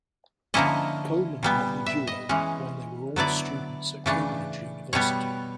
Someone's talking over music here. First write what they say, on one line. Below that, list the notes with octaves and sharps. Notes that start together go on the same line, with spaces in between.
Colman met the duo when they were all students at Cambridge University.
D3 F3 A#3 C#4 E4 D#5
A#2 G3 B3
E5
D#5
E3 G#3 C#4
D3 F#3 B3 E4 D5
C#3 E3 A3 D4
B2 G3 B3 C#5